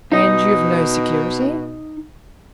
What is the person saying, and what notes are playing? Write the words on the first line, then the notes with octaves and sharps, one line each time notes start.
"And you've no security?"
B2 D#4 D#5